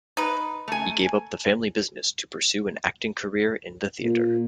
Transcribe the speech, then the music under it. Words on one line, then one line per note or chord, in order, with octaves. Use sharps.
He gave up the family business to pursue an acting career in the theater.
D#4 B4 A#5
A3 G#5
A#2